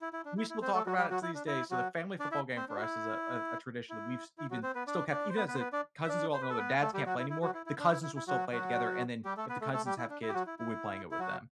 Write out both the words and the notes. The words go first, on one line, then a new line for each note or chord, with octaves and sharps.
We still talk about it to these day, so the family football game for us is a a a tradition that we've even still kept even as the cousins are all grown, their dads can't play anymore, the cousins will still play it together, and then if the cousins have kids, we'll be playing it with them.
E4
E4
D4
E4
E4
C4 C5
A3 A4
F#3 F#4
G3 G4
F#3 F#4
E4
D4
E4
F#3 F#4
D4 D5
E4 E5
C4 C5
D4
F#4
E4
E4
E4
F#3 F#4
C4 C5
B3 B4
D4 D5
D4 D5
C5
B3 B4
B3 B4
C5
B3 B4
D4 D5
E5
D4 D5
C5
B4
A4
B3 B4
A3 A4
G3 G4
F#3 F#4
E4
E4
F#3 F#4
E4
E4
D4
E4
E4
E4
F#3 F#4
F#3 F#4
G3 G4
A3 A4
B3 B4
A3 A4
A3 A4
G3 G4
E4
D4
E4
G4
F#3 F#4
E4
E4
E4
F#3 F#4